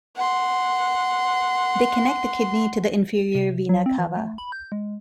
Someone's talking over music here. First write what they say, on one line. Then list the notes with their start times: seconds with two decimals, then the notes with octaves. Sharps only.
They connect the kidney to the inferior vena cava.
0.16 F#5 C6
3.35 C3
3.69 F#3
3.86 C4
3.98 E3
4.17 A3
4.38 B5
4.52 G6
4.72 G#3